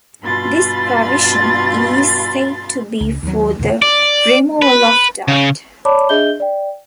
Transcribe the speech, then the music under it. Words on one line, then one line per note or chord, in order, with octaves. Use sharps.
This provision is said to be for the removal of doubt.
G2 B2 F4 B5 C6 A6
C#2
D#2 F#3
D#2 A#2 C#3
D5
B4
C#3
C#5 D5 A5 B5 D6
D4 G#4 D#5 E5 G6 G7
D5 G5